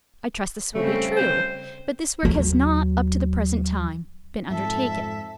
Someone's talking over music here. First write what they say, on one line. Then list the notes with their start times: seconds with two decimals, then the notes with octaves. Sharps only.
I trust this will be true, but this work has not, up to the present time, been undertaken.
0.74 C#3 G3 A3 C4
1.16 C5
2.23 D#2 F#3
4.50 F2 G#2 A4 E5